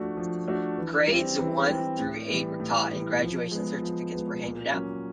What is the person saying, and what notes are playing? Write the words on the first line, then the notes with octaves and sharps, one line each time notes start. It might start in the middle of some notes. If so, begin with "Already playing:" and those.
Grades one through eight were taught, and graduation certificates were handed out.
Already playing: F3 A3 D4 F#4
F3
A3 D4 F#4
E3
G3
C4
E3
G3 C4
A2
E3 G3
A2
E3 G3
F3
G#3 B3
F3
G#3 B3
A#2
F#3 A#3 C#4